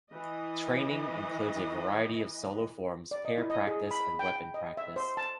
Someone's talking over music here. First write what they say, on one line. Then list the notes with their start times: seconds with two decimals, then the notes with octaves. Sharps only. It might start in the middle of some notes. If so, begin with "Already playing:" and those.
Training includes a variety of solo forms, pair practise, and weapon practise.
0.11 E3 D#5
3.11 D5
3.25 D#5
3.38 E4
3.50 D#5
3.67 G#4
3.91 B5
4.19 G5
4.36 G5
4.54 D#5
4.77 E5
4.96 C5
5.17 A5